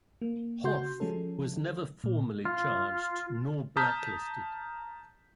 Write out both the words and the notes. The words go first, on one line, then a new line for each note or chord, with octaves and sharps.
Hoff was never formally charged, nor blacklisted.
A#3
C#3 F#4 C6 G6
F3 G#3 C#4 A4
A#2
F4
A5 A#5 D#6 F6 G6 B6